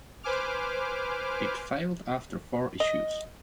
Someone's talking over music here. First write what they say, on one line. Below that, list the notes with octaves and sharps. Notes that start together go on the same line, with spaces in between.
It failed after four issues.
B4 C5 G#5 D6 F6
D#5